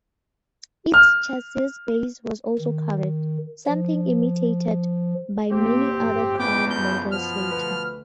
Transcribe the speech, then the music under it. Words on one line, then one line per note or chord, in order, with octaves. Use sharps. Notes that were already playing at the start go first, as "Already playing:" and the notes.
Its chassis base was also covered, something imitated by many other car models later.
F6
D#3
F3
A1 A#3 C4 G4
G1 A2 F3
A#1 E2 C#3 B3 G5 D6
F#2 G6
B2 F3 F6
D2 B4